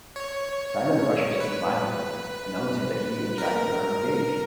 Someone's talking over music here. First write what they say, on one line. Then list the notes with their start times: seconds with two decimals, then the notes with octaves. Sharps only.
Simon rushes in violently, announcing that he and Jackie are engaged.
0.16 C#5
1.40 B4
3.38 A#4